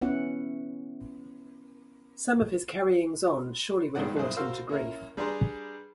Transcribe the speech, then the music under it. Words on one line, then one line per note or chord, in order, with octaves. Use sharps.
Some of his carryings-on surely would have brought him to grief.
B3 C#4 E4 F#5
G#1 G2 D#3 B3 D5 F#5
B1 G2 A#3 E4 C5 D#6
F#4 A#4 C5 F5 C6 E6
A#3 C#4 E4 A#4
G3 D4 G#4 B4 A#5 C6